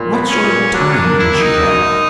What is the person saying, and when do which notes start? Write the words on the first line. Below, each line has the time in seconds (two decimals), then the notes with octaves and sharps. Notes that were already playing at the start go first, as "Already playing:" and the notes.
What sort of time did she have?
Already playing: A#2
0.13 B3
0.28 C#4
0.44 A#2
0.74 F#3 D4
0.91 C#4
0.96 D4
1.04 A#3
1.19 E4
1.34 D#3
1.42 D#4
1.65 F#2